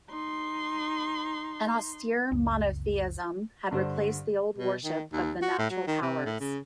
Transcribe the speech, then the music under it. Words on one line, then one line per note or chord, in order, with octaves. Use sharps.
An austere monotheism had replaced the old worship of the natural powers.
D#4 C6
F#1 C#2
G2 D3 C5
B2
D#3
D#2
F#4
A2
F#3
D#3
C3
A2
C#3